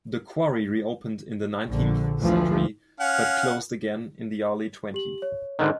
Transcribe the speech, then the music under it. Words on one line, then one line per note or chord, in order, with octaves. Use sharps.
The quarry reopened in the nineteenth century but closed again in the early twentieth.
A#1 D3
D2 E3 F3
C#4 F5 F#5
G4 F#7
C#5
G#2 D3 D#3 D#5